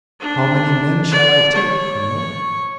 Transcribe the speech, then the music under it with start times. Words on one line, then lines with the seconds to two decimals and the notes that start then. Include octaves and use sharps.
"How many men shall I take, colonel?"
0.21 D4
1.11 D5
1.55 C#5